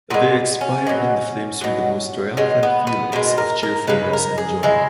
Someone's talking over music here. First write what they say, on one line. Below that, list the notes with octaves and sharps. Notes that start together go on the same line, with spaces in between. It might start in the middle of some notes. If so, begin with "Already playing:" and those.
They expired in the flames with the most triumphant feelings of cheerfulness and joy.
A#2 G#3 B3
C#4
B2 F#3
B2 F#3
B2 G#3 C#4
B3
B3
B2 G#3 A#4
A#4
A#4
C#3 G#3 B4
A#4
G#4
C#3 G#3 E4